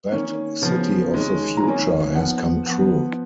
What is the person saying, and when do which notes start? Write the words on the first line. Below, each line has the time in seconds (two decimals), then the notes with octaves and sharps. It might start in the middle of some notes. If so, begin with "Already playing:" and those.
That city of the future has come true.
0.12 D#3 A#3 C#4
0.62 C#3 F3 B3
1.13 D#3 G#3 C#4
1.57 A#5
1.64 D#3 A#3 C#4 G#5
2.15 F3 B3 F#5
2.66 F3 B3 F#5